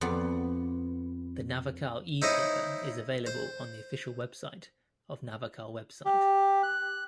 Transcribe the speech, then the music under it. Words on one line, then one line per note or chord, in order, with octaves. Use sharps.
The Navakal ePaper is available on the official website of Navakal website.
F2 B3 D5
D#4 E4 C5 C#5 D#5
C5
G4
F#6